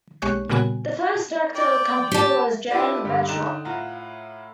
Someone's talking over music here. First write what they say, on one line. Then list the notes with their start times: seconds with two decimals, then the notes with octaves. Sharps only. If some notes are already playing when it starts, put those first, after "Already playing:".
The first director of the company was Jan Velterop.
0.22 B1 G#3 G4 C#5 C#6 F#6
0.49 A#2 C#3 G3 B3 F#4 G#5
1.55 D5 G5
2.12 G4 A5
2.70 D4 E4 F4 G4 B4 D5
3.05 G2 D3 G3 G4
3.29 D3 D#4 G5 A#5 F#6 E7
3.65 A2 F4 F#5 A#5